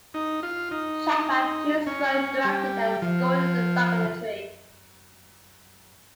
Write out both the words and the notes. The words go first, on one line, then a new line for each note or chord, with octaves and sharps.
Chapman produced, wrote, directed and scored the documentary.
D#4
F4
D#4
C#4
G3
F3